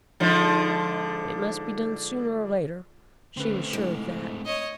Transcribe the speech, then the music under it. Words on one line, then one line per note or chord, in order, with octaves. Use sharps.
It must be done sooner or later--she was sure of that.
G#2 D3 F3
D3 A3 C4 C#4 B4
G#2 D4 E4
C#5 D#5